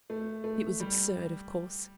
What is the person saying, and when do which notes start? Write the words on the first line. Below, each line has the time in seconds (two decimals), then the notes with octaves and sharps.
It was absurd, of course.
0.10 A3
0.44 A3
0.80 G3